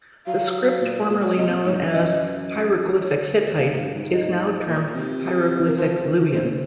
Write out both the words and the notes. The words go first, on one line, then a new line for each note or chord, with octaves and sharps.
The script formerly known as "Hieroglyphic Hittite" is now termed Hieroglyphic Luwian.
F#3 F5
A#2
A#2
C3 D#5
A#2
G#2 C#5
F#2
D#5
C#5
A#2 F5
G#2
F#2
G#2
D#5
A#2
C3
A#4
F3 C5
F3
D#3
C#3 C5